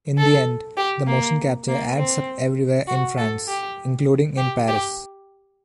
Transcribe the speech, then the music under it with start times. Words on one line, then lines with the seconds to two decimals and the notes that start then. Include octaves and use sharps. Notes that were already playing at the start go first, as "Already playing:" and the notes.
In the end, the motion capture adds up everywhere in France, including in Paris.
0.18 A4
0.77 G4
1.07 A#3
1.68 A#3
1.97 C4
2.88 F#4
3.18 A4
3.48 G4
4.37 G4
4.68 G4